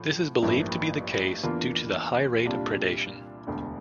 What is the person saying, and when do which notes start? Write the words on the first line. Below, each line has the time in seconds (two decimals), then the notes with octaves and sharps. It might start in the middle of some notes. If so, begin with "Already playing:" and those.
This is believed to be the case due to the high rate of predation.
Already playing: A2 F3
0.42 A1 G2 F3 A#3 E4
1.43 E2 E3 A#3 D4 F4
2.45 C2 A#2 G3 D4 F4
3.47 E1 D2 D3